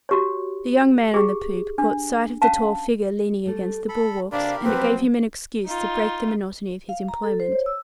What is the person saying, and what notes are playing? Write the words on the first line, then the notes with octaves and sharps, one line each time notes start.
The young man on the poop caught sight of the tall figure leaning against the bulwarks, and it gave him an excuse to break the monotony of his employment.
F#4 G4 C#5
G4 G#4
D4
C#4 F5 F#5 A5
G3 A3 A4
A4 A5 B5
C3 D4 G4 A#4 F5 B5
F3 F#3 C4 F#4 B4
D#4 F4
F5
A#5
A4
C5
C#5
E6